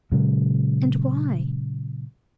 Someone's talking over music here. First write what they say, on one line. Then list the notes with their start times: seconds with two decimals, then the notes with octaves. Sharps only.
And why?
0.12 A#2 C#3 F#3 G#3